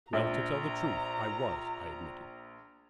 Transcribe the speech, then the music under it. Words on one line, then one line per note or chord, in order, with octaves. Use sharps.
"Well, to tell the truth, I was," I admitted.
A#1 A#5